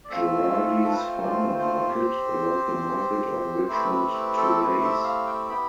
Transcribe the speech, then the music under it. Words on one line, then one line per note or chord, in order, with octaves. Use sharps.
Gerardi's Farmer Market, a local market on Richmond Terrace.
D5
A3 C4 F4 E5
A4
B4
C5
D5
C5
C5
C4 G4
A3 C4 E4 G4 B4
B4
B4
A4
B4
E5
F5
G5
B3 E4 G4 B5